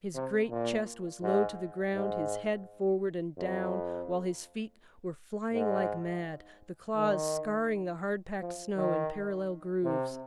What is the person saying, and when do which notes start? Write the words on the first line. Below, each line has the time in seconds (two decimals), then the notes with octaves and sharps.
His great chest was low to the ground, his head forward and down, while his feet were flying like mad, the claws scarring the hard-packed snow in parallel grooves.
0.15 C3
0.51 A#2
1.23 G#2
1.95 G#2
3.38 F2
5.53 G#2
6.96 D#3
8.40 F3
8.77 D#3
9.84 C3